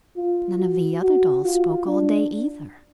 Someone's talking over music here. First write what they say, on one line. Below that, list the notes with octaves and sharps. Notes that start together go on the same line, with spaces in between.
None of the other dolls spoke all day, either.
F4
F#4
F#4
F4
D4